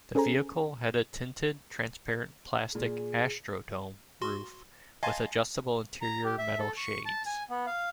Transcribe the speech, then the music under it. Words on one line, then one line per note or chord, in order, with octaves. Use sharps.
The vehicle had a tinted, transparent, plastic "astrodome" roof with adjustable interior metal shades.
C#4 G#4 A4 C5 G#5 A#5
A#2 G#4
F#4 C6
D#5 F5 G#5 A5 C6
A#5
G4
E5
A4
C#6
A5
G#5
B3
F5